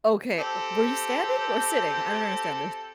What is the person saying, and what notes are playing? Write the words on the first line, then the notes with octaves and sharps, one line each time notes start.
okay, w were you standing or sitting? I don't understand this.
C4 G4 A4